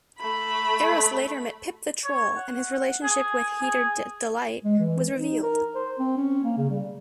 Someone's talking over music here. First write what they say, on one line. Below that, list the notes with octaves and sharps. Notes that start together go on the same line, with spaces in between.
Eros later met Pip the Troll, and his relationship with Heater Delight was revealed.
A3 B5
C#5
F#5
G#4
G#4
G#3
E3
D#4
A#4
C5
C4
C#4
A#3
C#3
G3